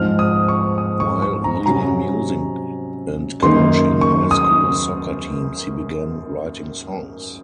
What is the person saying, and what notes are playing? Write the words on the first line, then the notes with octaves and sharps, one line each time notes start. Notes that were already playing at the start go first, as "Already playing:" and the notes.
While leading music and coaching high school soccer teams he began writing songs.
Already playing: G#2 F3 C4 D#4 F6
D#6
C#6
D#6
C#6
C#6
A#5
C3 F#3 C#4 A#5
F#2 D#3 A#3 D#4 C6
C#6
D#6